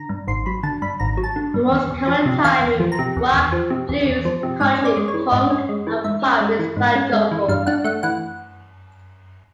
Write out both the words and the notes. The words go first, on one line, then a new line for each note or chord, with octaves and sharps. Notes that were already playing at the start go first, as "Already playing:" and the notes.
The most common time in rock, blues, country, funk, and pop is quadruple.
Already playing: D3 A#5
G2
G#1 C6
F#3 B5
D3 A5
G2 B5
G#1 A#5
F#3
A5
D3
G2
E2
E2
F3
C3
E2 F5
E2
F3
A#5
C3
E2
E2
F3
C3
E2
E2
F3
C3
G#2 G#5
C#4
D5
G#3
C#5
E3
G#2 D#5
C#4
G#3
E3
G#2 E5
C#4
G#3
E3
G#2
C#4
G#3
E3
G2 F5
D4 F#5
A3 F#5
E3 F#5